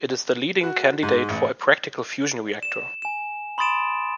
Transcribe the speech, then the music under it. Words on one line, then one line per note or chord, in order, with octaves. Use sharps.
It is the leading candidate for a practical fusion reactor.
F#4
G#2
A1
E7
G#5 E7
B5 C6 D#6 A6 D7 E7